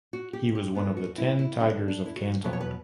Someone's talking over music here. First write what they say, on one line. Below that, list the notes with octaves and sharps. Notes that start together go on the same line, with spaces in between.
He was one of the Ten Tigers of Canton.
F#4
G4
G4
D3 G3 B3 B4
F#4
E4
E4
D3 G3 B3 C#4
D4
E4
F#4
B2 F#3 B3 B4
C#5
B4